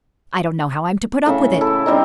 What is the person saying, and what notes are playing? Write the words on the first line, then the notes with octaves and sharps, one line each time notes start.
I don't know how I'm to put up with it.
A2 C#3 E5
E4 A4
D3 G3 C4 D#4